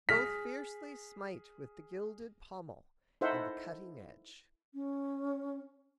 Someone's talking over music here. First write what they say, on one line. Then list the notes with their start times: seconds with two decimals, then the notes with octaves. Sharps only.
Both fiercely smite with the gilded pommel and the cutting edge.
0.09 G#4 F6 B6
3.21 D#4 E4 A4 C5 E5 F#5
4.74 C#4